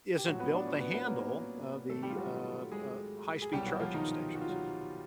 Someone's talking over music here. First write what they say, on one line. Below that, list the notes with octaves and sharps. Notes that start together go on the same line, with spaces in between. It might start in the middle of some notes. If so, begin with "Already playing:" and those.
isn't built to handle, uh, the, uh uh, high-speed charging stations.
G4
A2 F3 F#3 F#4
B3 B4
D4 D5
C#4 C#5
B3 B4
B3 B4
A#3 A#4
G#2 D#3 G3 A3 A4
G3 G4
F4
F#3 F#4
G#3 G#4
G#4
C2 B2 F#3 G3 G4
F#3 F#4
F3 F4
D#3 D#4
F#4
F4
F#3 F#4